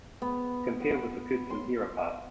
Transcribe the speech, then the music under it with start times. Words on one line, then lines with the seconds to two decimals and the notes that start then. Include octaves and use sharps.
Compare with the kutsinhira part.
0.22 B3
0.80 F#5
1.50 C6